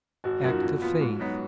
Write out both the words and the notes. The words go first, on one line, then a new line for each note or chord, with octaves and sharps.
Act of Faith.
G#1 F#4
F#2 F3 A#3 D#4 F#4
A#2
F3 B3 F4
G#2
F#3 B3 D#4